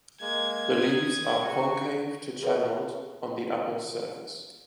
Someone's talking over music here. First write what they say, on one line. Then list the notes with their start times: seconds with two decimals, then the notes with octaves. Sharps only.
The leaves are concave to channelled on the upper surface.
0.21 G#3 A#3 G#6
0.80 D#6
1.44 C#3 F#4 C#6
2.43 G#4 A#4 B4 C#5 E5